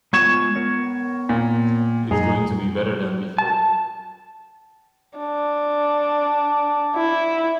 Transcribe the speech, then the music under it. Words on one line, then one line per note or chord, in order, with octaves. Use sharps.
It is going to be better than before.
G#3 B3 F4 C#6 G#6 E7
B3 A#4 C#5
A#2
F#2 D#4 G#4 A#5
A5
D4
E4